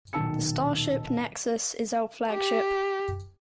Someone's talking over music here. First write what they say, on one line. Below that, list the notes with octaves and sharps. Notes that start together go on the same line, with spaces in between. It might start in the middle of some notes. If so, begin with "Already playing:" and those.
The starship nexus is our flagship.
D#1 B1 D#3 A5 E6 C#7
G4